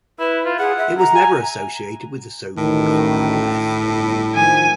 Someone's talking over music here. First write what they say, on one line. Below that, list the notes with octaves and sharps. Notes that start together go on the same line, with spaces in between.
It was never associated with the so-called Hard Left.
E4 B4
F4
G#4 F#5
E5
A#5
G#5
A1 D2 A2 D#3
G1
D#3 F3 G#5